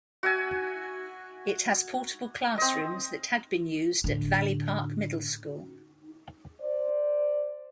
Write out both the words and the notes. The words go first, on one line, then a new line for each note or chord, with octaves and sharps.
It has portable classrooms that had been used at Valley Park Middle School.
F#4 E5 G#5
C4 D#5
A2 D3
C5 D5